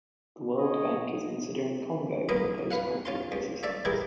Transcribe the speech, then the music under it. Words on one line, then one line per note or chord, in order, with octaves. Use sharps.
The World Bank is considering Congo for post-conflict assistance.
C#5 D#5
B1 A#2 B3 A#4 D#6
B4 F5 F#5
C#4 F4 C6
C#2
A3 D5 E5
E3 G#3 E4 G4 G#4 A#4